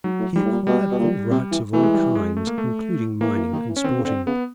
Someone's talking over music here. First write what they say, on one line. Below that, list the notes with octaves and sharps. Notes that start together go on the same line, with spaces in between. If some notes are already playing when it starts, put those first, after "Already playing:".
He acquired all rights of all kinds, including mining and sporting.
G#2 F#3
A2
G#2 G3
A2
A#2
B2 G3
B2
A#2
C3
E3
E3 A3
G#3
G3
G#3
A3
A#3
A3
E3 A#3
E3
D#3
E3
C#4
D#3 C4
C#3
D3 C4
C#3 B3